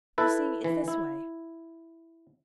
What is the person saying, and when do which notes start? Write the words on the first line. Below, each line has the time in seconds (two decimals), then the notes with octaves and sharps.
You see it's this way.
0.18 E4 A4 B4
0.64 E3
0.88 E4